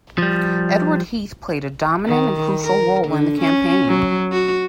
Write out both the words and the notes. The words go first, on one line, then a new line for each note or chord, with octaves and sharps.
Edward Heath played a dominant and crucial role in the campaign.
F3 G3
D#3
A#4
D3
C#4
F#3
F#4